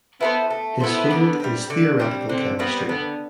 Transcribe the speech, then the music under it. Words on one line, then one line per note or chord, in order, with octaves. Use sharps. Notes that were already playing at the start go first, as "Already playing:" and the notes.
His field is theoretical chemistry.
B3 E4 A4 C5
A3
B3 E4 A4 C5
D3
G3 C4
D3
G3 C4
D3 C4
G3 B3 C4
D3 B3